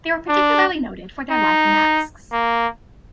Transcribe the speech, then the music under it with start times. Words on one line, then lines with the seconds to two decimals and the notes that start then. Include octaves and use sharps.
They were particularly noted for their lively masks.
0.29 D4
1.31 D#4
2.32 A#3